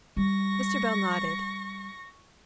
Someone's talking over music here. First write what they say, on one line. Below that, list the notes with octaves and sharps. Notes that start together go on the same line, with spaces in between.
Mr. Bell nodded.
G3 C#6 A#6